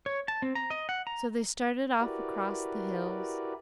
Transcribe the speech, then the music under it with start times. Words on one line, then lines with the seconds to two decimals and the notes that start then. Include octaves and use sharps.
So they started off across the hills.
0.06 C#5
0.28 A5
0.42 C4
0.55 A#5
0.70 D#5
0.89 F#5
1.07 A#5
2.00 E4 F#4 G4 A#4 B4 D5